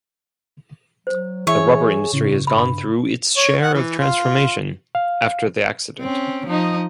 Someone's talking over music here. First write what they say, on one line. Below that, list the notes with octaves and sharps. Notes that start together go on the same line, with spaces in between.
The rubber industry has gone through its share of transformation after the accident.
F#3 C5
E3 G#4 C#5 E5
A2 C#3
G2 B5
C#5
F#5
E3
F4
F5
C4 C#4
F3 D#4 D#5